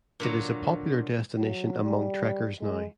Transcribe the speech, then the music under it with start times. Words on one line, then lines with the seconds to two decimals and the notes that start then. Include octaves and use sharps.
It is a popular destination among trekkers now.
0.20 A#2 D3 F#3
1.39 F#3
1.84 G3
2.61 G#3